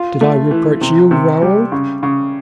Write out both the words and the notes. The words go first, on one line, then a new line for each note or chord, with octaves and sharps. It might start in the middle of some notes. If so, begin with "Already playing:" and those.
"Did I reproach you, Raoul?"
Already playing: F4
A3
E3
C3
C3
G3
C#3
C#3